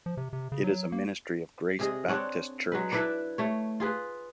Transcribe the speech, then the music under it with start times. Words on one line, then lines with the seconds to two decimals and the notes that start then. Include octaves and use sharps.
It is a ministry of Grace Baptist Church.
0.06 F3
0.17 C3
0.33 C3
0.52 C#3
0.64 F#3
0.92 A#3
1.79 C3 G#4 D#5
2.08 C4 D4 C#5 F#5
2.72 F#3 G#3 B4
2.92 D4 E4 B4 D5
3.38 A3 C#5
3.80 F4 G#4 B4